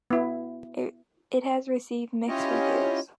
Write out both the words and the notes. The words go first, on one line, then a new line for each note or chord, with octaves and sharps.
It has received mixed reviews.
B3 E4
C#4 E4 F4 G4 C#5 D#5